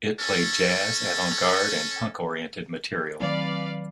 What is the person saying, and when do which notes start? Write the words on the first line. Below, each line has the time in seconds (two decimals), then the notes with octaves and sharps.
It played jazz-, avant-garde- and punk- oriented material.
0.19 C#4 A4
3.20 D#3 F#3 C4 B4 D5 F5